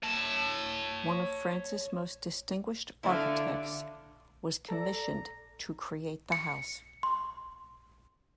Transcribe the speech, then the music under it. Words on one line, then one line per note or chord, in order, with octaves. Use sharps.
One of France's most distinguished architects was commissioned to create the house.
C#5 A5
D3 E4 F4
A4 D5 A#5
C#7
C6